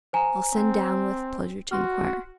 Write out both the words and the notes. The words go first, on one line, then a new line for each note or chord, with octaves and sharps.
I'll send down with pleasure to enquire.'
C5 G#5 A#5
C4
F#4 C6 F6